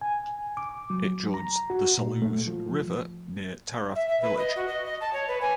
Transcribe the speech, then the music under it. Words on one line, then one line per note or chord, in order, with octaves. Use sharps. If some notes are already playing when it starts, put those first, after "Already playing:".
It joins the Satluj River near Taraf village.
G#5
D6
F#3
A#5
F#4
A#2
A3
F3
E5
E5
B4
D#5
F#4
D#5
D#5
A5
C#5
B4
G#5